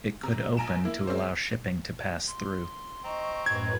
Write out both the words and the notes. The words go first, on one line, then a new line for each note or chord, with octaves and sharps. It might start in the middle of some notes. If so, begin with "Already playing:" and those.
It could open to allow shipping to pass through.
C3 A#5
A#1 G#5 A#5 D7 E7
A#3 E4
G#3 C4 C#4 C5
C6
C4 D#5 A#5 C#6
F#2 A2 B4 G#6